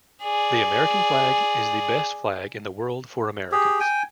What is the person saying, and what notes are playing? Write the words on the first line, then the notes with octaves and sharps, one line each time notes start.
The American flag is the best flag in the world for Americans.
G#4 D5
G4 G#4
G5 G#5